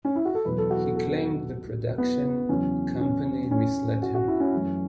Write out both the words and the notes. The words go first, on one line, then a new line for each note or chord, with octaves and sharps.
He claimed the production company misled him.
C#4
E4
F#4
A4
E2 B2 F#3 B4
A4
F#4
A4
A4
B3
E2 C#3 F#3 C#4
C#4
C#4
F#4
F#4
E4
C#4
F#2 E3 A3